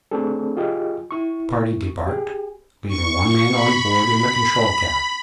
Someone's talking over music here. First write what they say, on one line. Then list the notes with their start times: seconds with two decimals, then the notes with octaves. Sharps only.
The party debarked, leaving one man on board in the control cabin.
0.11 A3 C4 D4 G#4 A4
0.57 F4 G4 G#4 D#5
1.11 E4 C#6
2.07 G4 G#4
2.87 C#6
3.53 B5